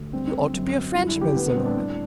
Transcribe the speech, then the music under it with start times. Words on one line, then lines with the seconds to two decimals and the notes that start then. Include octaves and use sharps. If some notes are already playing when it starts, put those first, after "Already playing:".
You ought to be a Frenchman, Sir Norman!
Already playing: D2
0.13 G3 C4
0.34 D3
0.54 F#2
0.74 F#2
0.94 G3 E4
1.08 E4
1.15 D3
1.21 G4
1.35 D2 B3
1.46 B3
1.56 G3 C4
1.66 D4
1.77 A2